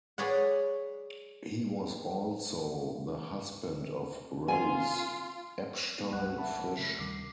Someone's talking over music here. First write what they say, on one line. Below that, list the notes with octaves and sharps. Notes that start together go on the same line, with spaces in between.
He was also the husband of Rose Epstein Frisch.
G#4 B4 C#5 D5 F#5
F4 G#5
A#3 B3 D#4
C#2 F#3 F#5 F#6
E5 F#5 A5 B5
C#3 A3 C#4
D2 C3 D#3 G3 D6 C7